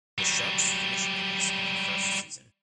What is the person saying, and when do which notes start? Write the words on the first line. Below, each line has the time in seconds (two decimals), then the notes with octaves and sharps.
The Sharks finished winless in their first season.
0.18 F#3 G3